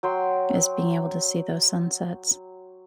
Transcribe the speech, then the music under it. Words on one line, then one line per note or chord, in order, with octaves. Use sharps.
is being able to see those sunsets.
F#3 G5 C6